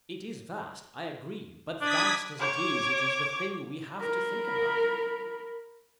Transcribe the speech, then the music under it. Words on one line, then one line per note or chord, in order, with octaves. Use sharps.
It is vast, I agree, but vast as it is it is the thing we have to think about.
D4 D#6 G#6 B6
C#5 D6
A#4 B5